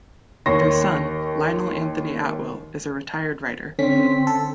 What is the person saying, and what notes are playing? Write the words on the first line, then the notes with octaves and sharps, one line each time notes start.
Their son, Lionel Anthony Atwill, is a retired writer.
D#2 C#5 C6 C#6 A#6
D3 C4 C#4 B6
A4